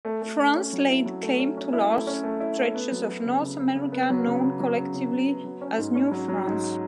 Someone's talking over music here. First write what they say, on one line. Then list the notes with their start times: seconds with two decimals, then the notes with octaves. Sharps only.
France laid claim to large stretches of North America, known collectively as New France.
0.05 A3
0.22 A3
0.39 A3
0.56 C#4
0.73 F#3
0.89 E4
1.06 F#3
1.23 A3
1.39 C#4
1.57 C#4
1.73 E4
1.90 A3
2.07 C#4
2.24 A3
2.40 E4
2.57 A3
2.75 B3
2.92 F#3
3.09 F#3
3.25 C#3
3.42 C#3
3.59 C#3
3.75 C#3
3.92 B3
4.10 F#3
4.27 C#3
4.44 C#3
4.60 F#3
4.77 C#3
4.95 C#3
5.11 C#3
5.28 B3
5.45 F#3
5.61 C#4
5.78 G#2
5.95 C#4
6.12 F#3
6.28 F#3
6.46 G#2